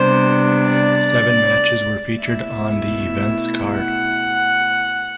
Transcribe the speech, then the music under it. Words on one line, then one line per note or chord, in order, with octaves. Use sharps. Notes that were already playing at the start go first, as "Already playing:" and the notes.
Seven matches were featured on the event's card.
Already playing: C3 G3 B3 D4 C5
D5
B2 A3 E4 E5
F#5